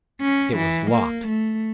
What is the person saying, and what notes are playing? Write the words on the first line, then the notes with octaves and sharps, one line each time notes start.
It was locked.
C#4
E3
A#3
A3